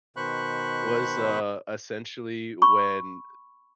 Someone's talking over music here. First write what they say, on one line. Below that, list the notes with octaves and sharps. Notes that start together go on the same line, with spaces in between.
was, uh, essentially when
B2 D#3 C5 B5 C#6 F#6
B5 C#6